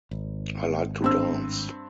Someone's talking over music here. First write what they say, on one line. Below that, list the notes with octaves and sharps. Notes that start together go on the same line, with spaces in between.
I like to dance.
G#1
G2 C4 E6